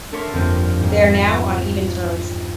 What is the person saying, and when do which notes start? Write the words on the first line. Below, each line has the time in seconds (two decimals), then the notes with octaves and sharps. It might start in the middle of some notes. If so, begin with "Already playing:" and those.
They are now on even terms.
0.12 D4 A4 A#4 C#5 E5 C6
0.33 G1 F2 A#3 C4
0.80 G#2 G#3